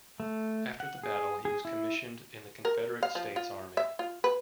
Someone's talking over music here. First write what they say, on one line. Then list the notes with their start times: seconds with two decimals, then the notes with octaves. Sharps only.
After the battle, he was commissioned in the Confederate States Army.
0.20 A3
0.80 F#5
1.03 G#4
1.45 G#4
1.65 E4
2.65 A#4
3.03 F5
3.15 F3
3.36 F4
3.77 E5
3.99 F4
4.24 B4